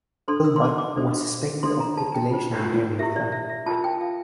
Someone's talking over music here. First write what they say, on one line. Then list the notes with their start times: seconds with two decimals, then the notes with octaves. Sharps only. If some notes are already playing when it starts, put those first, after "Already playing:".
Hurlbut was suspected of peculation during his term.
0.28 D4 A4 C5 C6
0.44 E6
0.56 C6
0.61 D6
0.78 D6
0.96 D4 A4 C5
1.63 D4 A4 C5 C6
1.80 A#5
1.97 A5
2.15 G5
2.31 F4 C5
2.99 E4 G4 A#4 E5
3.16 D5
3.32 E5
3.49 E5
3.66 F4 A#4 A5
3.84 G5
4.01 F5